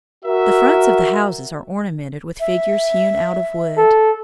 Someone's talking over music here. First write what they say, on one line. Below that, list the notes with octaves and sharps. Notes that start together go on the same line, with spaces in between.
The fronts of the houses are ornamented with figures hewn out of wood.
F#4 A#4 E5
E5
A4